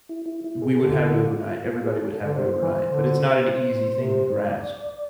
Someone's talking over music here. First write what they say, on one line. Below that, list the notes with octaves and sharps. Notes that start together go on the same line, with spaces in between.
we would have it overnight, everybody would have it overnight, but it's not an easy thing to grasp,
E4
E4
E4
G#4
D3 A4
F4
E4
F4
G#4
A4
A4
D3 D5
C3 C5
E3
D3
C3
C5
C5
D5